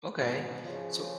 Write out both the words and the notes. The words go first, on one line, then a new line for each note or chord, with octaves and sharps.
Okay. So
G#2 B2
C#3 F3